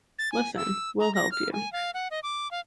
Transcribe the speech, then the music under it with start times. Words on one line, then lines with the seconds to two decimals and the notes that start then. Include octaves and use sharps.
Listen, we’ll help you.
0.19 A6
0.32 G#5
0.57 E6
1.00 A#5
1.15 A#6
1.32 F6
1.53 G#5
1.73 F5
1.94 F#5
2.11 D#5
2.23 D6
2.51 F5